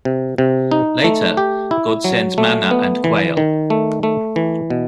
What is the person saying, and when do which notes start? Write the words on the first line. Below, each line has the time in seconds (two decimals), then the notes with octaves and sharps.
Later God sends manna and quail.
0.05 C3
0.38 C3
0.71 D#4
1.04 A3
1.37 G4
1.71 E4
2.04 F#3
2.38 A3
2.71 B3
3.04 E3
3.37 D#3
3.70 A3
4.03 A3
4.36 E3
4.70 B2